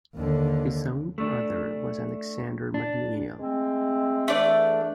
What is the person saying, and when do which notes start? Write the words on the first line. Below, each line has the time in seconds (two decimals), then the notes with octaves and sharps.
His own brother was Alexander McNeill.
0.15 D#2 D3
1.18 A3 D4
2.74 D4
3.40 G#3 A3 C4
4.28 E2 E3 A3 D4 D5